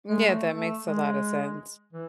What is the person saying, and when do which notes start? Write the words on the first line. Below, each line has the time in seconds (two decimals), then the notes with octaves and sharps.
M yeah, that makes a lotta sense.
0.09 G#3
0.26 A3
0.54 A3
0.83 G#3
1.93 E3